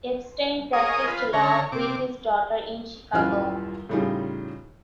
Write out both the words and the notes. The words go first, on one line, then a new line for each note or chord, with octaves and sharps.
Epstein practiced law with his daughter in Chicago.
G#4 A#4 C#5 D#5 D#6
F4 B4
D3 C#4 C#5 A#5
C3 D6
D#1 F#2 E4 F4 C5 F6
A2 C#3 G3 D#4 F4 G#4